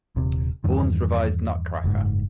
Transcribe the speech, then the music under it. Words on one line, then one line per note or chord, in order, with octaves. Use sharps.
Bourne's revised Nutcracker!
D#1 C3
E2 G2 D#3
F#1 G#2